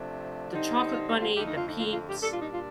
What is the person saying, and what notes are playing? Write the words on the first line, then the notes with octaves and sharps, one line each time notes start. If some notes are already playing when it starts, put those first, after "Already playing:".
the chocolate bunny, the peeps,
Already playing: C3 F3 A3 D4
D3 G3 C4 D#4
F4
D#4
F4
F2 D3 A3 D#4 G4
D#4
F4
D#4
F4
F4
G4
A#2 G3 D4 A4
F4
D#4
F4